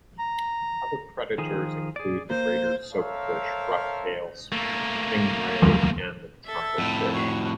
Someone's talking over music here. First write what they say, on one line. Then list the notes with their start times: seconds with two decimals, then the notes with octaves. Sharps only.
Other predators include the greater soapfish, roughtail stingray, and the trumpetfish.
0.19 A#5
1.38 D#3 F3 G#4
1.96 G#4 D5
2.30 A#3 C5
2.93 A4 A#4 C5 C#5 E5 F5
4.52 A3 A#3
6.45 A4 E5
6.78 F2 A2
7.11 F#4 C#5